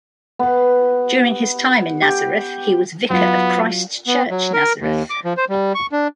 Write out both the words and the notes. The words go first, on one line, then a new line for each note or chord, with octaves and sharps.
During his time in Nazareth he was vicar of Christ Church, Nazareth.
B3
G4
F#3 B3 F4
B3
F#3
A#4
D#2
D6
F3
C5
G3
C#6
D4